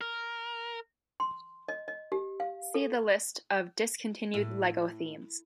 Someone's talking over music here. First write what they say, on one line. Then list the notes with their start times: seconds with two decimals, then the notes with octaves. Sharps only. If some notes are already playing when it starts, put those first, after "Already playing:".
See the list of discontinued "Lego" themes.
0.01 A#4
1.20 C6
1.68 D#5
1.88 D#5
2.12 G4
2.40 F5
2.74 A4
4.34 A2